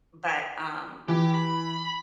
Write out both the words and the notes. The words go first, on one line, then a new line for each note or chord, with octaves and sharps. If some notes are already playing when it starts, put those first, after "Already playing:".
But, um,
E3 G4 G5
B5